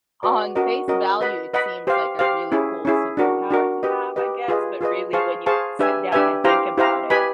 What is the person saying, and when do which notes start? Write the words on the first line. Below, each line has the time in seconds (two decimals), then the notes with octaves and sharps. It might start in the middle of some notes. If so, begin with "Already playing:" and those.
on face value, it seems like a really cool superpower to have, I guess, but really, when you sit down and think about it,
0.23 F#4 B4 D5
0.55 C#4 F#4 A#4 D#5
0.88 C#4 F#4 A#4 D#5
1.21 B4 D#5 F#5 B5
1.54 B4 D#5 F#5 B5
1.87 G4 C5 F5
2.19 G4 C5 F5
2.52 C#4 E4 G#4
2.85 C#4 E4 G#4
3.17 D4 F#4 A#4
3.50 D4 F#4 A#4
3.83 G4 B4 D#5
4.16 G4 B4 D#5
4.48 F4 G#4 B4 D#5
4.81 F4 G#4 B4 D#5
5.13 G#4 C5 F5 A5 C#6
5.46 G#4 C5 F5 A5 C#6
5.79 D4 G4 B4 E5 G#5
6.12 D4 G4 B4 E5 G#5
6.44 E4 G4 C5 F5 A#5
6.77 E4 G4 C5 F5 A#5
7.10 G4 B4 D#5 G#5 B5